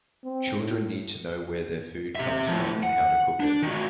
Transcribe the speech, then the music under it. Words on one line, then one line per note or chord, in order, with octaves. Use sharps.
Children need to know where their food comes from and how to cook it.
C4
A2
G4 E5
A2 F3
F#5
D4
D#3 F#4